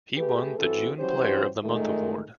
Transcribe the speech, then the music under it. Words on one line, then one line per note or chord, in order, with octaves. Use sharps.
He won the June Player of the Month Award.
A3 G4 G#4 B4
E3 C4 F#4 A4
E3 F#3 G3 C#4 G4 C5
A#2 D#3 G#3 A3